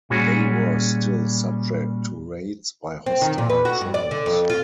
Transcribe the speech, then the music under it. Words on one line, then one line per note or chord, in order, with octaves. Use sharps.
They were still subject to raids by hostile tribes.
A#2 G3 G#3 C#4 F#4 G#4
C4
D#3
A#2
B4
F#4
G2
D5
D3
F2
F4